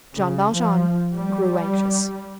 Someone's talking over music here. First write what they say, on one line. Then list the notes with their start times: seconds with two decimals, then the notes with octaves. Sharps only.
Jean Valjean grew anxious.
0.15 C#3
0.51 F3
1.15 G3